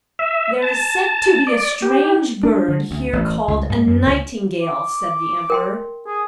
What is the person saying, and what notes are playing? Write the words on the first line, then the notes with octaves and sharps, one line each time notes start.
"There is said to be a strange bird here called a Nightingale!" said the Emperor.
E5
A5
D5
G4
D4
D3
D2
A1
C#2
G#2
F#2
C#2
D6
A#4 G5 C6
G#4